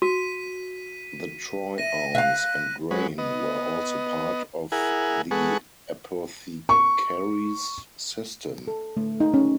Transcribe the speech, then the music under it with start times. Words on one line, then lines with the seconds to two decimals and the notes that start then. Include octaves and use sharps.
The troy ounce and grain were also part of the apothecaries' system.
0.02 F#4 B6 D#7
1.78 E5 A#6 D#7
2.15 E5 F5 F#6
2.91 F#3 G#3 C#4 B4
3.18 B3 D#5
4.72 E4 G#4 A#4 F#5 G#5
5.31 G#3 G#4 A4 B4 F#5 C#6
6.69 C#6
8.68 A4
8.97 A3
9.20 D#4
9.34 C#4